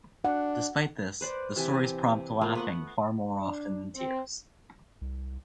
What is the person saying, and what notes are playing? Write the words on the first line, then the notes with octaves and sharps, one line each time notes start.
Despite this, the stories prompt laughing far more often than tears.
D4 F#5
B4 C5 D5
C3 E3 A5
A3 A#3 F4 C5
B3 B4 F#5
D4
C4
C2